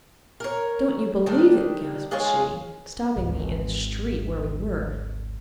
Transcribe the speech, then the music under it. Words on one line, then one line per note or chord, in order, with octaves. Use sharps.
"Don't you believe it," gasped she, stopping me in the street where we were.
A#4 C#5
D#3 G3 D4
G#3 F4 G#4 C#5
G#1 D2